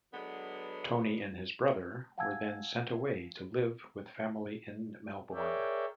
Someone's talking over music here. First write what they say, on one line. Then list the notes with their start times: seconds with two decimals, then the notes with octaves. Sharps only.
Tony and his brother were then sent away to live with family in Melbourne.
0.13 D3 F#3 G#3 B3
2.18 F5 F#5 G#5 A5 E6 G#6
5.34 G#4 A#4 C#5 D5 E5 G5